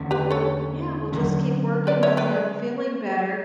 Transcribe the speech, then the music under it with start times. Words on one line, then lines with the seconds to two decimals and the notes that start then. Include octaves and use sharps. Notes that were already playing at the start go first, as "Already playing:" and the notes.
Yeah, we'll just keep working with him feeling better,
Already playing: E2 D3 A3 C#4
0.11 G4 B4
0.31 A4 C#5
1.12 D3 F#3 C#4
1.87 B4 D5
2.03 C#5 E5
2.17 B4 D5